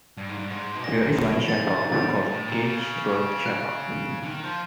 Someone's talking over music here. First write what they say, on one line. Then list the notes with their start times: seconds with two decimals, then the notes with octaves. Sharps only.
There is one chapel, called Gage Road Chapel.
0.17 G2
0.29 G#2
0.39 G2
0.50 G#2
0.75 B2
0.83 A#2 A#6
1.11 C3
1.16 B2
1.48 A2 A6
1.71 G#2 A6
1.82 G2
1.92 A6
2.15 G2
2.31 A2
2.48 A#2
2.63 C#3
3.46 F#6
4.22 D3
4.26 D#3
4.44 F3